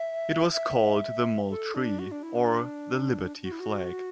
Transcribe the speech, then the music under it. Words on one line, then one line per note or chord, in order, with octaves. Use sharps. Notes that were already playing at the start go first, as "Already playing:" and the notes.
It was called the Moultrie, or the Liberty Flag.
Already playing: E5
E5
A4
D4
F#4
D4
E4
D4
F#4
E4
F#4